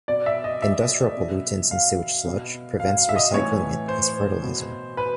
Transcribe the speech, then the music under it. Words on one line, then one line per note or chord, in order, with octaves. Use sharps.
Industrial pollutants in sewage sludge prevents recycling it as fertilizer.
B2 D5
E5
D#5
E5
B2
F5
B2
F5
F5
E5
D#5
A2 E3 C#5
C5
B2
B4